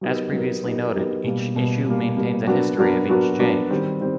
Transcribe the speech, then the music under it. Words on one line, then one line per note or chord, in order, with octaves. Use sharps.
As previously noted, each issue maintains a history of each change.
F#3 B3 D#4 G4 A#4
F#3 B3 D#4 G4 A#4
F#3 B3 D#4 G4 A#4
F#3 B3 D#4 G4 A#4
B2 G3 A#3
B2 G3 A#3
B2 G3 A#3
B2 G3 A#3
F#3 B3 D4 F#4 A#4
F#3 B3 D4 F#4 A#4
F#3 B3 D4 F#4 A#4
F#3 B3 D4 F#4 A#4
D#3 G3 C4
D#3 G3 C4